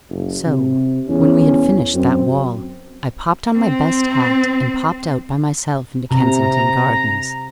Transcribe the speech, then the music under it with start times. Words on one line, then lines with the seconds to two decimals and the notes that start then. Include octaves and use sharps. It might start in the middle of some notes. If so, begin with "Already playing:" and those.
So, when we had finished that wall, I popped on my best hat, and popped out by myself into Kensington Gardens.
0.10 F#1
0.47 C3
1.09 E2 C#4
1.94 F#2 C4
3.56 C4
6.11 C3 A#5